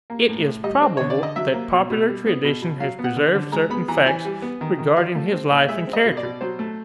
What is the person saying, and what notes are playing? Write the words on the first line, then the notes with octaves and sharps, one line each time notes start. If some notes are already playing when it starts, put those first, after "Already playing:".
It is probable that popular tradition has preserved certain facts regarding his life and character.
A#3
A2
A2
G3 D#5
C4
D3 C#5
D5
D3 D#5
F#3 E5
A#3
B2
B2
G3
B3
B2
B2
F#3 F5
B3
F#5
D3
D3
G#3 A#5
B3 B5
E3 A#5
E3 G#5
G3
B3
D#3
D#3
F3 F5
A3
C4
A#2
G#3 E5
C4
D#5
B2
D5
B2
F#3 C5
A3